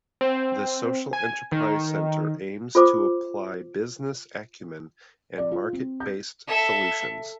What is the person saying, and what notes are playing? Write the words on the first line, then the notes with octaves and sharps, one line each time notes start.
The Social Enterprise Center aims to apply business acumen and market-based solutions.
C4
G#5
D#3
F4 A4 C5 D6
D5
F4
C4
G6
A4 E5